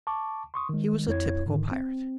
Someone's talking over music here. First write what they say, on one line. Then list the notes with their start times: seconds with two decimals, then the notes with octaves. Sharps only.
He was a typical pirate.
0.07 A5 C#6 D6
0.54 C6 C#6 D#6
0.69 D#3 G#3
1.07 F2 E4 C#5 G#6
1.46 G#2 D3 D#3
1.72 C4